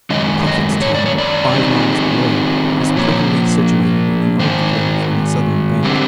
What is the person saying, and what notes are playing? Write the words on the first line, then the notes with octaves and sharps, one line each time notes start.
Prophetstown, five miles below, is prettily situated in an oak grove on the southern bank.
F#2 D#3 G#3 C#4 D#5
D#5
C#5
D5
C#5
D5
D#3 G3 C4 D#4
A#2 F3 A#3 C#5
G#2 D#3 C5
D3 G3 C4